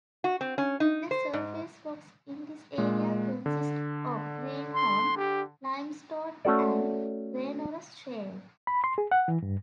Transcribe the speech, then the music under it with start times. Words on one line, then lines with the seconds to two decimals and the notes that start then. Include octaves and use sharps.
The surface rocks in this area consist of Greenhorn limestone and Graneros shale.
0.24 F#4
0.41 C4
0.58 C#4
0.80 D#4
1.11 C5
1.33 G#2
2.78 A#2 G#3
3.46 D3
4.75 C6
5.16 G4
6.45 A3 C#4 F#4 A4 D5
8.67 B5
8.84 C6
8.98 G#4
9.11 F#5
9.28 E3
9.42 G2